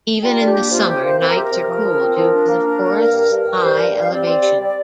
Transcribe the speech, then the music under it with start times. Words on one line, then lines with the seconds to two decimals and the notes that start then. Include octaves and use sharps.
Even in the summer, nights are cool due to the forest's high elevation.
0.23 G3 F4
0.39 D4 A#4
0.47 G4
0.55 A#3
0.71 C3 F4
0.87 C3 G4
1.03 A#3 C5
1.19 C4 C5
1.28 A#4
1.36 C3 G4
1.44 A#4
1.52 C3
1.68 F3
1.85 F3
2.00 C4
2.17 F3 A#4
2.32 D4
2.49 A#3
2.65 D4
2.81 A#3
2.98 G2
3.13 G2
3.30 G2
3.47 G2
3.62 G3 C5
3.74 G2 A#4
3.95 G3 F5
4.11 C4 D5
4.27 C4
4.42 G3
4.59 G3